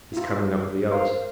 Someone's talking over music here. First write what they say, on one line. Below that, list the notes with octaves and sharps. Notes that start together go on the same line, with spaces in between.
He is coming up with the others.
E4 F4
A#4 C5 F5